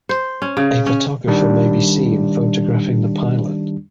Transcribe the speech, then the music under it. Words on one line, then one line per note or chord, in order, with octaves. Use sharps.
A photographer may be seen photographing the pilot.
C5
C#4
C#3
C#4
D#3 G3 D4